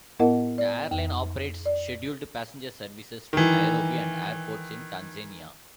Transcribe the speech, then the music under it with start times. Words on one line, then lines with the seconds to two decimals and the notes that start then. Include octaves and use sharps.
The airline operates scheduled passenger services to Nairobi and airports in Tanzania.
0.20 A2 B3 E4 A#4 D#5 F#5
0.58 D5
0.91 F2
1.66 D5
3.33 D#3 E3